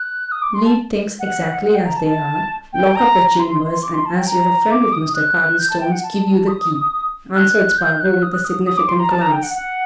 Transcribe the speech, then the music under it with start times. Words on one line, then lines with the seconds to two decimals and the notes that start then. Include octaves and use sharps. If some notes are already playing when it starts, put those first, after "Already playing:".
"Leave things exactly as they are, lock up the chambers, and as you're a friend of Mr. Cardlestone's give you the key," answered Spargo, with a significant glance.
Already playing: F#6
0.32 D#6
0.42 D6
0.54 C6
0.65 A5
1.19 F#5
1.63 F#5
1.74 G5
1.85 A#5
1.96 A5
2.07 A5
2.73 G5
2.96 A#5
3.39 C6
3.83 D6
3.94 C6
4.06 A5
4.16 G5
4.27 A#5
4.71 D6
4.93 D#6
5.15 F#6
5.59 G6
5.70 A5
5.81 G5
5.92 F#5
6.03 A5
6.47 D#6
7.35 F#6
7.78 G6
8.00 F#6
8.22 D#6
8.34 F#6
8.44 D#6
8.67 D#6
8.78 D6
8.89 C6
9.00 A#5
9.11 A5
9.22 A#5
9.32 G5
9.43 F#5
9.54 F#5